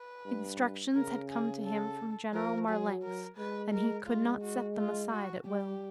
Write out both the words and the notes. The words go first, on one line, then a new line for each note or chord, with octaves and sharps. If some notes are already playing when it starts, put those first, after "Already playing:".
Instructions had come to him from General Marlanx, and he could not set them aside at will.
Already playing: B4
G2
C#3 A#4
G#4
A4
F3 A#4
F#3 G#4
A#4
G#3 B4
A#4
G#3 F4
F#4
F4
F#4
G3 G4